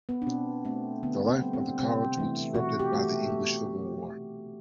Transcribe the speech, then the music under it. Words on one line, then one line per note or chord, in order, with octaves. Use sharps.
The life of the college was disrupted by the English Civil War.
B3
D4
B2 C4
A3 C4
D3 B3
C4
G3
C4
C3 C4
E3 A3
B2 F#4
G4
A3